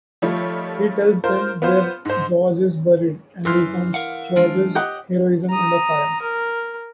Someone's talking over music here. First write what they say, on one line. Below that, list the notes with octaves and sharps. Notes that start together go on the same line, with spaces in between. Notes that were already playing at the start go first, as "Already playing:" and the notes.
He tells them where George is buried and recounts George's heroism under fire.
D#3 F3 G3 A3 C#5
F4 A#4 C5
B3 F4 C5
G#2 C5
F#2 E3 C6 F6
A#4 F5 F#5
E3 G#3 D4 F4
G4 D#5 F#5
A#5 D#6
A#4